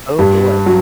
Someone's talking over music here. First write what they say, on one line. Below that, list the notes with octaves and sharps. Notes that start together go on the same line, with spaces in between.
Oh boy.
G2
F#3